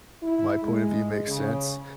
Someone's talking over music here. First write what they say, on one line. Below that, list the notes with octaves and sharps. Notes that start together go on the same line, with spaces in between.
my point of view makes sense?”
E4
G#3
C#3